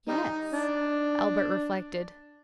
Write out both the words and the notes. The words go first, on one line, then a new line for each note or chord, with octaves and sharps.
"Yes."--Albert reflected.
G3 D#4
D4